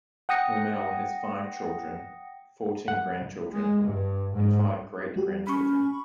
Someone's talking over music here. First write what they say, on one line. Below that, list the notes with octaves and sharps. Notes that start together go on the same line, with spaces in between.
Hormel has five children, fourteen grandchildren, and five great-grandchildren.
F#5 G5 D#6 A#6 C#7
F#5
G#3
G2
G#2
G3 F#4 G4
C#4 B5 C#6